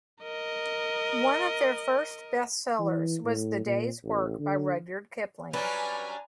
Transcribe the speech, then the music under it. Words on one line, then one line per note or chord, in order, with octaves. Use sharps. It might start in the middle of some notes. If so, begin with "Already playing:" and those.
One of their first bestsellers was "The Day's Work" by Rudyard Kipling.
A#4 D#5
E3
A2
A#2
A1
D3
F#3 G3 C#4 D4 B4 G#5 A#5 F6